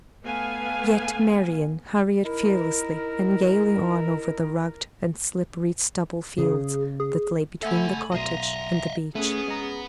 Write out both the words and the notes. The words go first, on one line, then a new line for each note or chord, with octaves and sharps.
Yet Marian hurried fearlessly and gayly on over the rugged and slippery stubble fields that lay between the cottage and the beach.
A3 B3 F5 G#5
D#4 E4 A#4
C#3 G#4
G#4
A3 A4 E5 F#5 G#5 B5
B1 D#5 E5 A#5 C6
A3 B3 C#4 G#4
G#3 A#5